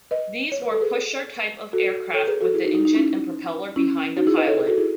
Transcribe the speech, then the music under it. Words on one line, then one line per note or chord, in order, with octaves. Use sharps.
These were "pusher" type of aircraft with the engine and propeller behind the pilot.
B4 D#5
C#5
B4
A4
G#4 B4
F#4 A4
A4 C#5
G#4 B4
F#4 A4
E4 G#4
D#4 F#4
D#4
D#4
C#4 E4
C#4 E4
D#4 F#4
E4 G#4
B4 D#5
A4 C#5
G#4 B4
F#4 A4
E4 G#4